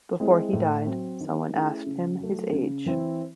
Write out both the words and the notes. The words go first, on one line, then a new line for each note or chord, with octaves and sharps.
Before he died, someone asked him his age.
G#3 C4 E4 G#4
A2
F#3 C4
D#3
A3 C#4 E4 G#4
C#3
F#3 A3
C#3
E3 C4 E4